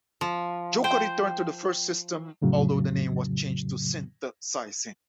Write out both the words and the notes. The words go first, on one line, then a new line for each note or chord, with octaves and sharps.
"Joker" returned to the first system, although the name was changed to Synthesizing.
F3
C5 G5
F2 A2 C#3 F#3